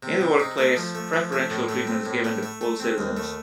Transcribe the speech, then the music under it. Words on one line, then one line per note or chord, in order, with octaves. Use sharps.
In the workplace, preferential treatment is given to full citizens.
C3
C3
D#4
A3
F3
A3
F3
A3
A2
A3
C4
A2
A3
A3
A3
C4
D#2
A3